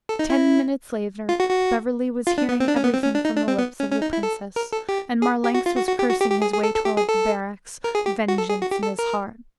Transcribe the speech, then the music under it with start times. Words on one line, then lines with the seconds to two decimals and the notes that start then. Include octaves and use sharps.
Ten minutes later Beverly was hearing everything from the lips of the princess, and Marlanx was cursing his way toward the barracks, vengeance in his heart.
0.09 A4
0.19 D#4
0.30 E4
1.29 F4
1.40 F#4
1.50 F#4
2.27 F4
2.38 D4
2.49 B3
2.60 C4
2.68 D4
2.76 C#4
2.84 B3
2.93 C4
3.04 C#4
3.15 D4
3.25 D#4
3.37 D4
3.48 C4
3.59 B3
3.80 C#4
3.91 C#4
4.02 D#4
4.13 E4
4.23 A4
4.56 A#4
4.73 A4
4.89 G4
5.22 G#4
5.44 G4
5.55 F#4
5.66 F4
5.77 F#4
5.88 F#4
5.99 G4
6.10 F#4
6.20 G4
6.31 G4
6.42 G#4
6.53 G#4
6.63 A4
6.74 A4
6.85 G4
6.97 G#4
7.08 A4
7.84 A#4
7.95 G#4
8.06 G4
8.28 F#4
8.38 A4
8.50 G#4
8.61 F#4
8.71 G4
8.83 A4
8.99 A#4